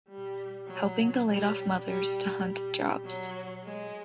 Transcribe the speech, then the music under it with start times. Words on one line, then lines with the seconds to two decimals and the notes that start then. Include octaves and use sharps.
Helping the laid-off mothers to hunt jobs.
0.09 G3
0.67 F#3
1.27 G3
1.85 G3
2.45 G3
3.05 F#3
3.64 G#3